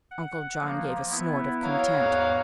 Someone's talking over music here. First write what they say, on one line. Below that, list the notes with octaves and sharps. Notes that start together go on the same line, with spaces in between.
Uncle John gave a snort of contempt.
F#5
F3 A#3
B3 E4
C#5 F5 A#5
E2 G#2 F#5